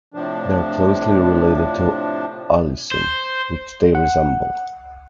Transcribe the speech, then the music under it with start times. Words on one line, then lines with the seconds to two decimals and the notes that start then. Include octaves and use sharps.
They are closely related to "Alyssum", which they resemble.
0.14 A2 C3 F3 D4
2.92 C5
3.95 F#5